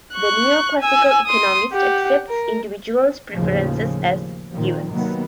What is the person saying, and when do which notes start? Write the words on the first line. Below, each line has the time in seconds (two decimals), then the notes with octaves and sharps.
The neo-classical economist accepts individuals' preferences as givens.
0.15 C#6 F#6
0.80 G#5 E6
1.26 C6 D#6
1.73 G4 F#5
2.29 A#4
3.34 D#2 A2 C#3 F3
4.52 A#2 D#3 F3
4.91 C3 D#3 F#3 A#3 B3